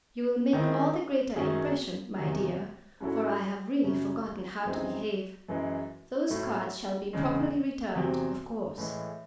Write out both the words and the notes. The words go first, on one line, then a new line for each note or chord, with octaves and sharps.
You will make all the greater impression, my dear, for I have really forgotten how to behave. Those cards shall be properly returned, of course.
D#3 G#3 C4 E4
F#2 D#3 F#3 C#4 G#4
E2 C3 D#3
G#2 F#3 C#4 E4 A4
F#2 C#3 F#3 C#4
F#2 E3 C4 D#4 G#4
F#2 E3 G#3
A2 F#3 A3
E2 C#3 G#3
E2 C3 F#3 C4
A2 E3 G#3